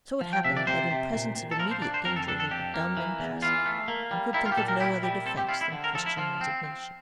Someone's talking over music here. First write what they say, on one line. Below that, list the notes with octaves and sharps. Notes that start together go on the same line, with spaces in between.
So it happened that in presence of immediate danger they were dumb and passive, and could think of no other defence than Christian resignation.
F3
G5
C3 E5
D5
C3 C5
C3
A#2
A#2
A4
F3 A#4
C5
D4 D5
C5
F2 A#4
A4
D4 A4
A4
F2 G4
A#3
E3
E2
E3 F4
A3
A#3
G3
G3 E4
F4
G4
A#2 A4
A#4
E4 G4
G3 G4
C4 A4
G4
E4 F4
E4
D3
A#4
F3 A4
E4
F3 F4
C4
C4